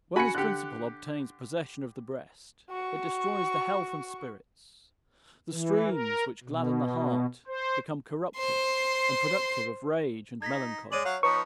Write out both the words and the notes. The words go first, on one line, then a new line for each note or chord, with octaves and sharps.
When this principle obtains possession of the breast, it destroys the health and spirits: the streams which gladden the heart become corrupted, and productive of rage and melancholy.
F#4 G#5 B5 C#7
D3 G4 F#6
F#4 C#6
E3
A#4
B2
C5
C5 C6
D#4 G#6 A#6 B6
G#3 C#5 D5 D#7 F#7
F#3 C#5 F5 F#5
F3 B3 D#4 B4 C#5 A#5 C#6